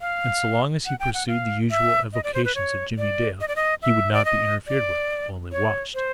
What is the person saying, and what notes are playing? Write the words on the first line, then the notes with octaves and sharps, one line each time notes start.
And so long as he pursued the usual avocations of Jimmie Dale, he would not be interfered with--only WATCHED.
F5
F#5
G5
F#5
F5
E5
D#5
D5
C5
B4
C#5
D5
D#5
D5
D#5
E5
D5
D#5
D5
C#5
C5